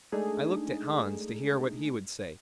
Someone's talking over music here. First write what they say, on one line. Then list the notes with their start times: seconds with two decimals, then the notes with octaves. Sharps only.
I looked at Hans, to hear what he would say.
0.12 G#3 A3 D4 D#4 G#4 A4